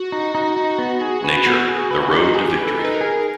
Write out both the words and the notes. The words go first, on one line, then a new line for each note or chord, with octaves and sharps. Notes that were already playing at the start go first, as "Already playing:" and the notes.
Nature: The Road to Victory.
Already playing: F#4
D#4
D#4
D#4
B3
G#4
B4
B3
G#4
B4
D#4
F#4
G4 G#4
B4
A4
D#4
B4
A#4
G#4